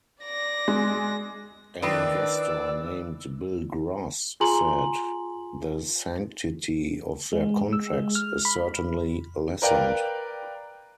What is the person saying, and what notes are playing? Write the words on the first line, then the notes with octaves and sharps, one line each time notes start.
An investor named Bill Gross said, The sanctity of their contracts is certainly lessened.
D5 A#6
G#3
D#3 D4 E4 B4 D5 D#5 C6 E6
F4 G#4 G#5 A#5 C6 F#7
G#3
E6
G#3
F6
B5
A#4 B4 D5 F5 G5